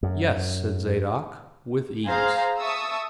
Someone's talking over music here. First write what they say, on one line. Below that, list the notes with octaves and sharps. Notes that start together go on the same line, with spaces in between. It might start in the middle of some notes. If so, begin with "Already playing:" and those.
"Yes," said Zadok, "with ease."
F#2
G#4 C5 F5 A#5
E5 A5 C#6 D#6 E6